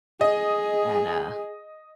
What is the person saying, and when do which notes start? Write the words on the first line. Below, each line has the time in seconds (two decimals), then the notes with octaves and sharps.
and, uh,
0.21 G#4 D#5